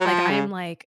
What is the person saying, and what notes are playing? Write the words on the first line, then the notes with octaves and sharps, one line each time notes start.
like, I am like,
F#3
F3
C#3